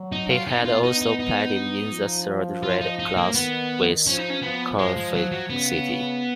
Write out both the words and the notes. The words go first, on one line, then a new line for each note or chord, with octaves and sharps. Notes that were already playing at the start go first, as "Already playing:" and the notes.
He had also played in the third round clash with Cardiff City.
Already playing: F#3
D#4
F4
B3 D#4
F4
D#4
D#4
D#4
F3
F4
D#4
D#4
A#3
D#3 B3
F3 C#4
D#4
C#4
F3 B3
G#3
G#3
F#3
F#3
C#3 B3